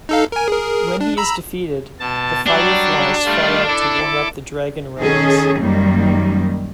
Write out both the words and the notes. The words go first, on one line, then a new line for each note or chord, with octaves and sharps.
When he is defeated, the fireflies fly out to warm Up the Dragon Realms.
D#4 A4 F5
A#4 G#5
G#4 A#4
D4
A#5 B5 E6
B2 A5
F#3 G3 D4
G3 A3 F4
E4 A4 D6
D#3 C#4 G#4 A4
F#2 D#3 G3 A#3